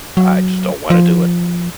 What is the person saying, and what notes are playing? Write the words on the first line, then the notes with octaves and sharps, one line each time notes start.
I just don't wanna do it.
F#3
F3